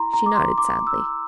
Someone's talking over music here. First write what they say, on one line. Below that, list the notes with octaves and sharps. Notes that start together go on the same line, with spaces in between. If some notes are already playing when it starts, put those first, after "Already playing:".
She nodded sadly.
Already playing: E4 A#5 C6
A#5
D6
C6
D6
E6